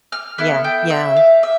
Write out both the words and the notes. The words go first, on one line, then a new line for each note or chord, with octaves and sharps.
Yeah. Yeah.
F6
B3 E4 A4 F6
G5
E5
F5
E5